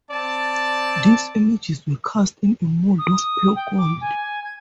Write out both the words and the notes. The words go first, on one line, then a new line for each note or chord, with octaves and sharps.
These images were cast in a mold of pure gold.
C4 D5 A5
D#6
G5
D6
G#5
G#6